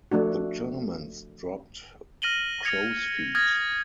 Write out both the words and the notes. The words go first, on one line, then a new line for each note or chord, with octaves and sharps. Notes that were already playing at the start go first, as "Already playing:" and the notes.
The Germans dropped "crowsfeet".
F3 A3 D4 F#4
F6 A#6 D#7 F#7 G7
G#6 C#7 F7
D#6 F6 G#6 A#6